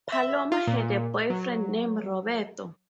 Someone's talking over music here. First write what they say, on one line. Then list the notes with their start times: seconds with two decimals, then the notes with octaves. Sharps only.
Paloma had a boyfriend named Roberto.
0.12 E5
0.52 F4
0.67 A#2
1.30 F#3